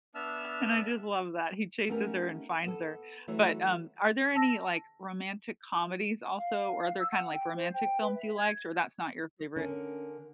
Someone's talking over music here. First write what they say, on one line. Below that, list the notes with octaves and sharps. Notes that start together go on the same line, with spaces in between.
and I just love that he chases her and finds her. But, um, are there any, like, romantic comedies also, or other kinda like romantic films you liked, or that's not your favorite?
B3 D4 E5 A5 E6 F6
A3 B3 C#4 D#4 G4 A#4
B3 A4
E3 F#3 A3 E4 C#5
A5 E6 A#6
F5
E6
F#5
G5
C5
G5
B4
E5
G#6
D3 C#4 A#4 G#5